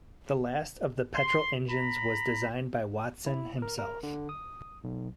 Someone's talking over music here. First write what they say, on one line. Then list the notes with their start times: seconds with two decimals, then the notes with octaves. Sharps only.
The last of the petrol engines was designed by Watson himself.
1.14 C6
1.69 A#5 B5
3.26 E4
3.62 A#4
3.79 A#4
4.03 D3
4.29 D#6
4.84 B1